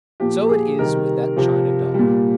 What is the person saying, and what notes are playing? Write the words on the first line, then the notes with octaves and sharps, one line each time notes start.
So it is with that china dog.
A#2 F3 G4
G#4
C3 D#3 G3 A#4
C3 F3
A#2 G3